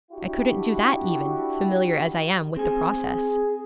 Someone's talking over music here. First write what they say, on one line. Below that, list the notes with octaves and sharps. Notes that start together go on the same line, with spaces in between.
I couldn't do that even, familiar as I am with the process.'
D4 E4 F#4 G4
C4 G#4 G#5